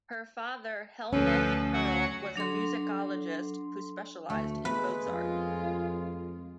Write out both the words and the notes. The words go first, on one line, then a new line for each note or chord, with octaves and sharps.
Her father Helmuth Perl was a musicologist who specialized in Mozart.
D2 F3 C#4 A4 B4
F#3 F#4 F#5
F#3 D4 A4 C6
D2 A3
G#3 B3 B4
F2 F4